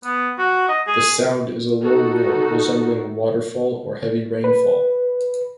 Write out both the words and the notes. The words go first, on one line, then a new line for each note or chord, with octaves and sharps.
The sound is a low roar resembling a waterfall or heavy rainfall.
B3
F#4
D#5
G#4
D#4 F#4 A4
B4